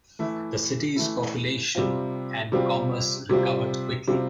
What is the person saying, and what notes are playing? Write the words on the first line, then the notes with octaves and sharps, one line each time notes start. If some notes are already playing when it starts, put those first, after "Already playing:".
The city's population and commerce recovered quickly.
E3 A3 E4
E3 A3 E4
C3 G3 C4 F4
C3 G3 C4 F4
C3 G3 C4 F4
C3 G3 C4 F4